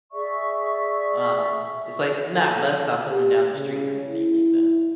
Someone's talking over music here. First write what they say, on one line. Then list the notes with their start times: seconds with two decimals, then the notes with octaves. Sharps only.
um, it's like not bus stops up and down the street or anything like that.
0.12 G#4 D5 E5 C#6
2.35 A4
3.09 G4
3.55 C#3
4.06 E4